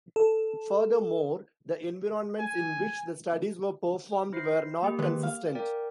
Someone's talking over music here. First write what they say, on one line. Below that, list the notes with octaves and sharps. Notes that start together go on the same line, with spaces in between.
Furthermore, the environments in which the studies were performed were not consistent.
A4
G#5
E4 C5 C7
A#3 G4
D#3 G#3 B4
F5
A#4 D5 G5